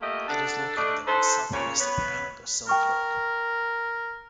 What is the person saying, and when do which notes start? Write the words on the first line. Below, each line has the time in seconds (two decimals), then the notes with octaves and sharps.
It is located around south-west of the town of Selkirk.
0.01 A3 A#3 F4 G4 D#5 E5
0.29 D4 A4 F#5
0.77 A3 D4 D#5
1.07 D#4 A4 B4 C5
1.53 A#2 C#3 C#4 C#5
1.79 B3 B4 C#5
2.67 A#4 G5 C#6 F6